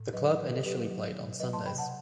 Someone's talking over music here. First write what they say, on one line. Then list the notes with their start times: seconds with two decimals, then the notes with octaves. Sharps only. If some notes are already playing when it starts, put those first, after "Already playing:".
The club initially played on Sundays.
Already playing: A2
0.13 F#3 B4 D#5
0.39 D#3 B4
0.52 A4
0.64 F#3 G4 B4
0.90 F#3
1.16 B2
1.40 F#3 B4 D#5
1.53 A5 C6
1.66 C3 G5 B5
1.78 F#5 A5